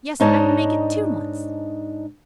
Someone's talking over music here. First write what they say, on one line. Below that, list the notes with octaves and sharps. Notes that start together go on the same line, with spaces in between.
Yes, I will make it two months.
G#2 D4 D#4 C#5 D#5 A5